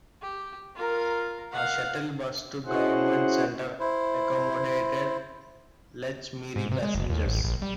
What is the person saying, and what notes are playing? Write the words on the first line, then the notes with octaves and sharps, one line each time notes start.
A shuttle bus to Government Center accommodated Lechmere passengers.
G4
F4 A#4
F5 F#5
C#4 E4 F#4 G#4 C5 F#5
E4 C5
G#2
C3
G#3
F#1
D#2
A1
A#1
G3